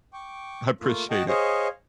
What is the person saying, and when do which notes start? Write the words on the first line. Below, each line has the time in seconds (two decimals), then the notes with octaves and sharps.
I appreciate it.
0.13 G5 C#6 D6
0.81 A3 A#3 F4
1.10 F#4 D#5 G5 A5
1.28 G#4 C5 C#5 D#5 F5